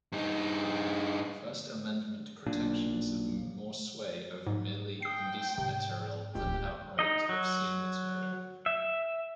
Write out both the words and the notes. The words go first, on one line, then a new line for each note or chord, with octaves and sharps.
First Amendment protections have more sway over merely indecent material than outright obscene material.
G2 D#4
B1 A#2 D4
G#2
G5 D#6 C7
G#2 C3
D1 C#2 G4
D#4 D#5
F#3
E5